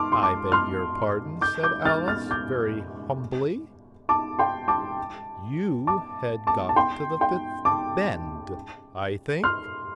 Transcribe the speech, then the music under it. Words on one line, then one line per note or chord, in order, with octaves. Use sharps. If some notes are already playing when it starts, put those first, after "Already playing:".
'I beg your pardon,' said Alice very humbly: 'you had got to the fifth bend, I think?'
Already playing: A5 C6 D6 F6
C6
A5 D6
C6 F6
D6 G6
D6 G6
F6 A6
F6 A6
D6 G6
A5 D6
G5 C6
A5 D6
A5 D6
A5 D6
A5
G5 C6
G5 C6
A5 D6
C6 F6